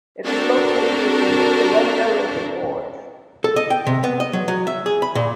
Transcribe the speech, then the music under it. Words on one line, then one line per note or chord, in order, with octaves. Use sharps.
It is located in the Columbia River Gorge.
C4 D4 F#4 A4 A#4
A4
D#5
G5
C3
B3
D#5
F#3
F#3
E5
G#4
B5
A#2